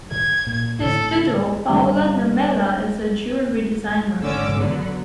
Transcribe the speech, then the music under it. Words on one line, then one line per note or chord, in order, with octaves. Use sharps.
His widow Paula Nummela is a jewellery designer.
G#6
A#2
A2 D3 A4
G2 D3
G#1 D3 C#4 D6 E6
D3 F#3 B3